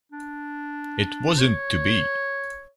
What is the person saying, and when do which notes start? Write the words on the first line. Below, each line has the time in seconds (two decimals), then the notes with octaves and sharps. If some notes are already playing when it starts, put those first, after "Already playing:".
It wasn't to be.
0.12 D4
1.39 C#5